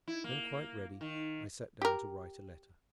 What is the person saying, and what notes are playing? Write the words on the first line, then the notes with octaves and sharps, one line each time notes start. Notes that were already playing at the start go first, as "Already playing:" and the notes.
When quite ready, I sat down to write a letter.
E4
A#3
D#3
G4 A#4